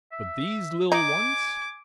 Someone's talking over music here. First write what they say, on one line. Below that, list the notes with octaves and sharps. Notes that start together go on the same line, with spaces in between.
But these little ones!
E5
D#4 G#5 D6